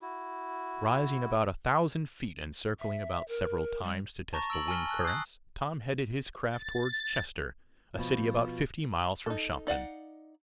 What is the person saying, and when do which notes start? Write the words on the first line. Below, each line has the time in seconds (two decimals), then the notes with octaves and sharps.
Rising about a thousand feet, and circling about several times to test the wind currents, Tom headed his craft toward Chester, a city about fifty miles from Shopton.
0.02 E4 F#4
2.80 E5
3.28 A#4
3.83 G3
4.33 A5 A#5 C#6 A6 A#6
4.50 E6 D7 F#7
4.68 G#5 A5 E6 F6 G7
4.87 A5 E6 F#6
5.05 D#6 F#6 C7
6.43 A6
7.94 B2 F3
9.26 D#4 A4
9.67 D#4 D5 F5 F#5